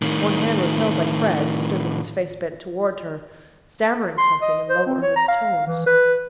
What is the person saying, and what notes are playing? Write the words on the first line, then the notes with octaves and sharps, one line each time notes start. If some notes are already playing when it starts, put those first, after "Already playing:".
One hand was held by Fred, who stood with his face bent toward her, stammering something in low earnest tones.
A2 D#3
C6
D#5
C5
C4
C#5
A#5
F5
E3
B4